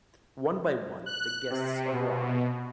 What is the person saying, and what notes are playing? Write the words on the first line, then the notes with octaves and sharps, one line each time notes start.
One by one, the guests arrive.
F#6
C3
B2